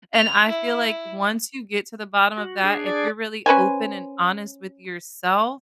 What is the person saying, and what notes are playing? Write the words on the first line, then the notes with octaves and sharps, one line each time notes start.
And I feel like once you get to the bottom of that, if you're really open and honest with yourself
F7
E4
F#4
D4 G#4
D5
C#4 B4 C5 G#5